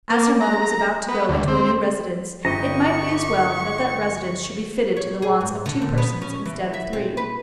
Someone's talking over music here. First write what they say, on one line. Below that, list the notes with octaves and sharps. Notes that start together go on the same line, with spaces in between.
As her mother was about to go into a new residence, it might be as well that that residence should be fitted to the wants of two persons instead of three.
A#3
A#5
B3
D2
C4
G1 G4 D#5 A#5 C#6
C#5
G#4
G#2
D3
A#2
B3
C#4
E3
E5
C4
B4